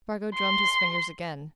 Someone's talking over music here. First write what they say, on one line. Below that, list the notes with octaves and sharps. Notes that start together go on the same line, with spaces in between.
Spargo drummed his fingers again.
C6